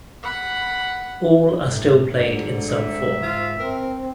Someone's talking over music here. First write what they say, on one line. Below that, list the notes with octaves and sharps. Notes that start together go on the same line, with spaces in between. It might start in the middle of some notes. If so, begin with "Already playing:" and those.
All are still played in some form.
F#5 B5
G1 A2
G#1 G#2 D3
E5
F4
C4 A#4